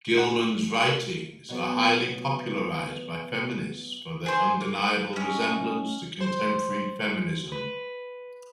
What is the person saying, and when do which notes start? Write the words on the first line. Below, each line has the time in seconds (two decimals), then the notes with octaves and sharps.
Gilman's writings are highly popularized by feminists for their undeniable resemblance to contemporary feminism.
0.18 F#5
0.88 A#4
1.49 B2 F#3 B3
4.26 G#4 C5
4.61 A#3
5.13 C#4 D#5
6.20 C5
7.52 B4